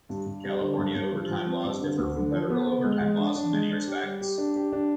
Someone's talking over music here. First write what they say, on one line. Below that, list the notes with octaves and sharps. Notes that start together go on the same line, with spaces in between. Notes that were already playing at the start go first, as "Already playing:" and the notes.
California overtime laws differ from federal overtime laws in many respects.
G2
G2
G3
D3
G2
G2
F3
F3
C4
G2
D3
D2
D3
F3
B3
B3
G#3
G#3
D4
D4
G#3
D4
G4
G3
G4
D4
G4
D4